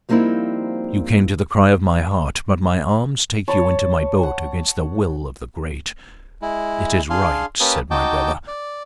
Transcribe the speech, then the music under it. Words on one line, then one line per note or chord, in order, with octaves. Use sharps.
You came to the cry of my heart, but my arms take you into my boat against the will of the great!' 'It is right,' said my brother.
F3 G3 A#3 C4 D#4 E4
C#5 A5 B5
F#5
G#3 E4
D4 G#4 F5 C6
A#3 C#4 G4 B4 A5 D#6
D#4 F#4 D#5 G5 A5 D6
D5